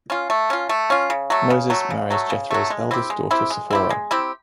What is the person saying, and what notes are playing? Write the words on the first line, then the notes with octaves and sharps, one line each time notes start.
Moses marries Jethro's eldest daughter Sephora.
C#4 F4
A3
C#4 F4
A3
C#4 F4
C#3
F#3 A3
C#3
F#3 A3
C#3
F#3 A3
C#3
F#3 A3
G#3
C4 E4 G4
G#3
C4 E4 G4
G#3
C4 E4 G4
G#3
C4 E4 G4